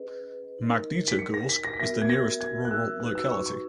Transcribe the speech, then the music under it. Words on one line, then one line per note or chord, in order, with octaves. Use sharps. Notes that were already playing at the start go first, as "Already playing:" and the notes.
Magnitogorsk is the nearest rural locality.
Already playing: C#4 G#4 B4 D#5
D#4 A#4 D#5
B6
C#7
A#6
B6
A#6
B6
B3 F#4 A#4 E5 A#6
G#6
A#6
G#6
F#6
E6
D#4 F#4 B4 F#6
E6
C#6
C#6